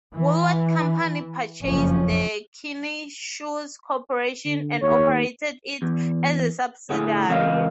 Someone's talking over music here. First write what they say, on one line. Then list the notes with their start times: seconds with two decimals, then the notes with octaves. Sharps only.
Woolworth Company purchased the Kinney Shoe Corporation and operated it as a subsidiary.
0.14 E3
1.65 F#1 F2 F3 C#4
4.45 D3
4.82 D#2 C#5
5.82 E2
6.90 D2 A2 G#4 F#5
7.29 C#2 E3 C4 A#4 D#5 F5